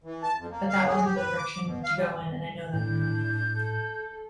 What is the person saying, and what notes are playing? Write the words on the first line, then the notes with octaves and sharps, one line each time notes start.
But that wasn't the direction to go in, and I know that now.
E3
A5
F2
A#3
F5
G#4
G4
B4
D6
B2
F5
G3
A2 D4 E4 G6
A4